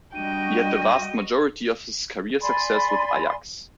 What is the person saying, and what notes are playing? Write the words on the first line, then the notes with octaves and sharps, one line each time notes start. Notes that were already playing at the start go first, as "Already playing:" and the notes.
He had the vast majority of his career success with Ajax.
G3 D4 F#4 D#5 G5 D#7
D5 G#5 B5 C6